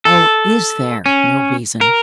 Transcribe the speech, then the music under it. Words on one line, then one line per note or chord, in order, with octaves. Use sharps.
"Oh, IS there no reason?"
A4
C#4
A#4